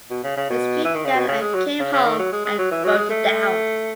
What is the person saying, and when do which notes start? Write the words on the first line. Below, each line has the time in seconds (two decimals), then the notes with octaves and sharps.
He skied down and came home and wrote it down...
0.11 B2
0.24 C#3
0.37 C#3
0.50 B2
0.85 E3
0.95 D#3
1.05 C#3
1.15 B2
1.28 C#3
1.42 G#3
1.54 F#3
1.80 C#3
1.93 C#3
2.06 D#3
2.19 F#3
2.33 G#3
2.46 G#3
2.59 F#3
2.71 E3
2.84 F#3
2.97 G#3
3.10 A3